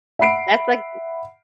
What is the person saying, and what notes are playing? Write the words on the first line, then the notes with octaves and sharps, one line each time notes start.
that's like
E5 F#5 B5 C7 D7